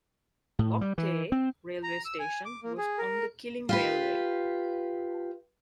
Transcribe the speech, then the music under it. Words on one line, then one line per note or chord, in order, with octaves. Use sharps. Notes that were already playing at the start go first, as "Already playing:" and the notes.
Loch Tay railway station was on the Killin Railway.
A2
G3
E3
C4
A#5
E6
G#5
D6
A#3
G#4
A#4
F4 G4 B4